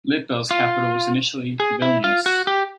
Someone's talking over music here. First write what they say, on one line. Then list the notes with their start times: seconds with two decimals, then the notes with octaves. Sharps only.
Litbel's capital was initially Vilnius.
0.51 F4
1.60 G#4
1.82 E4
2.04 F4
2.26 F#4
2.47 G4